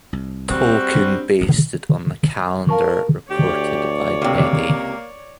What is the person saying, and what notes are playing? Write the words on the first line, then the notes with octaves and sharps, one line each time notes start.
Tolkien based it on the calendar reported by Bede.
C2
G3 C4 F#4
D4
D1 A1
A#4 F5 A5 C#6
D2 G4 C#5 D5
C#2 C3 A#3